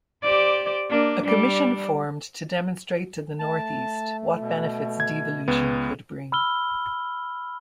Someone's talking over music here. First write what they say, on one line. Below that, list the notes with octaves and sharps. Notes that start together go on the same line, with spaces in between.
A commission formed to demonstrate to the North East what benefits devolution could bring.
G4 C5 D5
A#3 D4
G3 D4
A3 A5
B2
G#6
C#2 B3
B5 E6 F6 G7